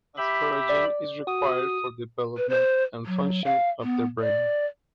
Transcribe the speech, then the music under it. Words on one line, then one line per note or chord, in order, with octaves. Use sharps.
Asparagine is required for development and function of the brain.
G4 E5 B5
D5
F#4 D#6
B4
C5
F#3
F5
B3
D5